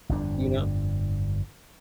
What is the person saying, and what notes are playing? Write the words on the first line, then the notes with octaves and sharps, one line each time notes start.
you know?
G1 F2 D4